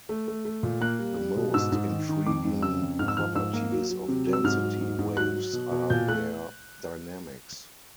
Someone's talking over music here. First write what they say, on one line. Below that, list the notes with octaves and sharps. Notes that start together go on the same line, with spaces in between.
The most intriguing properties of density waves are their dynamics.
A3
A3
A3
A#2
A#3 F#6
G3
G3
B2
G#2 E6
G#2
D#3
D#3
F2 D6
F2
C#3 E6
F2
G#2 F6
E6
F3 F6
G#2 E6
A#3
F#3
F#3
C3
F#3
E6
G#2 F6
F#3
G#2
G#2
F#3 F#6
F#3
B2
B2
A#2 G6
A3 F#6